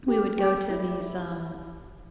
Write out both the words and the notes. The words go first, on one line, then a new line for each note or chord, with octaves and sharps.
we would go to these, um
G4
G4
E4
E4